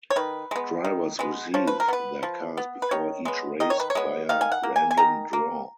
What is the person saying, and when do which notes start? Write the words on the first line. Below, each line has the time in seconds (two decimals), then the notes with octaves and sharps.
Drivers receive their cars before each race via random draw.
0.10 C#5
0.16 D#3 B4
0.51 G#3 B3
0.85 D#3
1.19 G#3 B3
1.54 F3 C#5
1.67 B4
1.80 A#4
1.88 B3 B4
2.23 F3
2.57 B3
2.82 B4
2.91 D#3 C#5
3.25 G#3 B3
3.60 D#3 D#5
3.70 C#5
3.80 B4
3.90 C#5
3.95 G#3 B3
4.29 D#3 F5
4.41 G#5
4.52 F#5
4.63 A#3
4.76 G#5
4.91 G#5
4.97 D#3 A#5
5.33 A#3